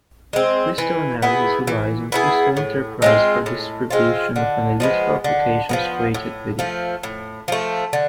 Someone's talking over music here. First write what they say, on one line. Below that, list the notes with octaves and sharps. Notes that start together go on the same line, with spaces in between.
Crystal Analysis relies on Crystal Enterprise for distribution of analytical applications created with it.
G#3 C4
E3
B3 E4 G#4
E3
B3 E4 G#4
A2
G#3 C4 F4
A2
G#3 C4 F4
D3
F3 G#3 B3
D3
F3 G#3 B3
A2
F3 A3
A2
F3 A3
D3